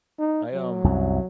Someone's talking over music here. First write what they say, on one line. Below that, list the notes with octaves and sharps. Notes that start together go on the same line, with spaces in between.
I, um
D#4
F#3
C2 F#2